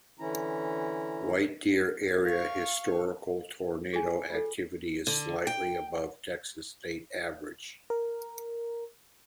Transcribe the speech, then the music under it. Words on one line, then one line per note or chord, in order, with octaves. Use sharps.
White Deer-area historical tornado activity is slightly above Texas state average.
D3 E3 C#4 E4 A#5
F5 C#6
G#4 G#5
F4 A4
D3
G5
A#4